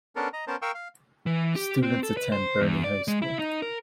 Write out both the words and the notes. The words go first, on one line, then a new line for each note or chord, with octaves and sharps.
Students attend Bernie High School.
B3 C#4 D4 A4 A#4
D#5 A#5
B3 C#4 A#4 C5 A5
A#4 F5 G5 C#6 E6
F5
E3
G4
C4
A4
B4
C5
E2
D5
G#3
E4
D#4
A#4